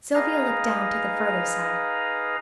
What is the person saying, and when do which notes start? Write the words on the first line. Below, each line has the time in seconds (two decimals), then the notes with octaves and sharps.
Sylvia looked down to the further side.
0.15 D#4 G#4 B4 F5 A#5